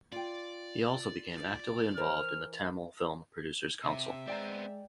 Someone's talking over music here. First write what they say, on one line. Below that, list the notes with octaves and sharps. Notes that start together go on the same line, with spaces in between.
He also became actively involved in the Tamil Film Producers Council.
F4 D5 G5
E3 A#4 C5 F6
C3 E5
G#3 B3 C4 D5 G5 A#5